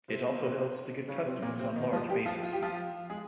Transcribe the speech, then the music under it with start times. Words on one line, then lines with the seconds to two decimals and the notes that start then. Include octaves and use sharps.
It also helps to get customers on large basis.
0.08 C3 C4
0.25 C4
0.34 A#3
0.43 C3 C4
1.08 C#3 C#4
1.25 C3 C4
1.42 A#2 A#3
1.59 C3 C4
1.76 D#3 D#4
1.93 F3 F4
2.09 G3 G4
2.26 F3 F4
2.43 F4
2.53 G4
2.62 F3 F4
3.10 G#3 G#4